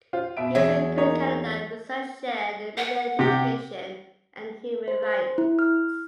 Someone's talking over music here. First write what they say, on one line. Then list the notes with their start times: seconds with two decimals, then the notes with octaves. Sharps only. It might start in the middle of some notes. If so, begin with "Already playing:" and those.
He is the current Canada Research Chair in Media Education and Human Rights.
0.13 F4 C5
0.37 B2 E5 D7
0.55 E2 F#3 G#4 E5
0.97 A#3 D#4 C#5
2.77 F#5
3.19 C3 G4
4.88 C5
5.03 C5
5.38 E4
5.59 F6